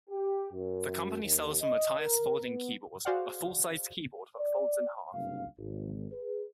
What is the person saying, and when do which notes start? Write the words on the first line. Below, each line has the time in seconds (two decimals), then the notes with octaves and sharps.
The company sells the Matias Folding Keyboard, a full-sized keyboard that folds in half.
0.10 G4
0.52 F#2
1.21 D#2
1.61 D#5
1.99 A#4
2.42 B3
3.05 F#4 G#4 C5 D5 F5 F#5
4.40 D5
5.13 F#1 G2 C3 D4 F5
5.59 G#1
6.12 G#4 B4